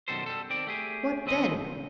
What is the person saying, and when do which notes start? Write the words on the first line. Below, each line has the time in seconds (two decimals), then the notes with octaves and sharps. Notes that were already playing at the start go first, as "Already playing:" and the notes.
What then?
0.08 F#2 B2 D#3 G3 A4 C5
0.26 G3 A4
0.49 D#3 C4 D5
0.67 A3 G4 G#4
1.26 D#2 C4 B4 D#5
1.61 C#3